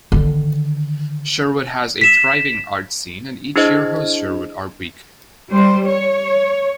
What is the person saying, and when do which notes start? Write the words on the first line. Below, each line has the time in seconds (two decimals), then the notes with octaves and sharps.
Sherwood has a thriving arts scene and each year hosts Sherwood Art Week.
0.12 D3 D#3
2.01 B6 E7
3.56 D4 E4 G#4 C5 D#5
5.49 G3 C5
5.86 C#5